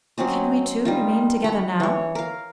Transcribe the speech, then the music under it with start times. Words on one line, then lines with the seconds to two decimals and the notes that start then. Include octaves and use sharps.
"Can we two remain together now?"
0.18 F#3 C4 C#4 D#5
0.85 G3 D#4 F4
1.44 C#5 F#5 B5
1.80 E3 C#5
2.15 A#4 F5